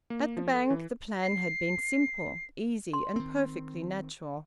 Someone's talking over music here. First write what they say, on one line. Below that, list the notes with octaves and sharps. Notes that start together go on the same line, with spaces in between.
At the Bank the plan had been simple, easy, and perfectly natural.
A#3
F3
A4
E3
C7
C6
D#3 C4